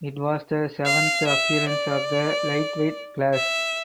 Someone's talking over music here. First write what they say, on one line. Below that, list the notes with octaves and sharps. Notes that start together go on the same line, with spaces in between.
It was the seventh appearance of the lightweight class.
F5
E5
D5
E5